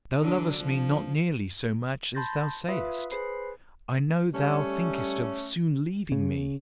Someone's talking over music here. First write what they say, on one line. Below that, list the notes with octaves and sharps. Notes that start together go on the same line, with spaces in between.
Thou lovest me not nearly so much as thou sayest; I know thou thinkest of soon leaving me.
D3 F#3 D4
F3
A5 B5 C6 G6 A6 A#6
F4 B4 E5 F5 B5 D#6
G#4 B4 C5 B5 C7
G3 A3 C#4
C#3